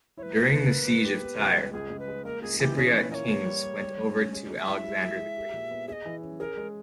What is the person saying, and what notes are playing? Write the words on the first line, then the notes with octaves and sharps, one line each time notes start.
During the siege of Tyre, the Cypriot Kings went over to Alexander the Great.
E4 C#5
B4
B2
A#3
A#4
G#3
G4
B3
C#2
G3
C#2 G#4
C#2
B4
G#3
A#3 A#4
C#2 G#4
E3 G4
C#4 G#4
A#2 B4
A#3 C#5 D#5
B4
G3
G4
G3
G3
C#4
G#3
G#3
E5
E4
G#3
G#3
G#4
G4
A#2
B3
G#4 D#5 E5
E3
C#4
G#4 A#4
G#3